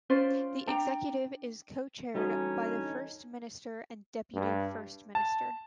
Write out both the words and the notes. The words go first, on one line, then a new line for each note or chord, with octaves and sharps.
The Executive is co-chaired by the First Minister and deputy First Minister.
C#4 F4 C5 D5
D4 G5 A#5
D3 E3 G3 C#4 D#4 F#4 G#5
G2
A5